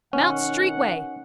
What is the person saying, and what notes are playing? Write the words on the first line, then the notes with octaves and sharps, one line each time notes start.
Mount street way.
B2 D#3 C#4 D#4 F#5